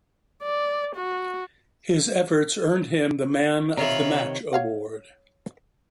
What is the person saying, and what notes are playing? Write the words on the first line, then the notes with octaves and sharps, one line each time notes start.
His efforts earned him the Man of the Match award.
D5
F#4
C3 D#3 F4 C#5 E5 A#5 B5
C#5 F5 F#5